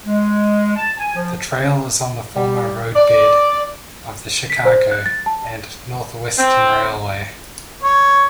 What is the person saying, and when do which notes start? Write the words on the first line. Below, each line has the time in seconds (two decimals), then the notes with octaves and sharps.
The trail is on the former roadbed of the Chicago and North Western Railway.
0.05 G#3
0.76 A5
0.99 G#5
1.15 F3
2.36 G3
2.96 D5
4.50 B6
4.65 C5
4.91 F#6
5.06 A6
5.26 A5
6.38 C4
7.83 C#5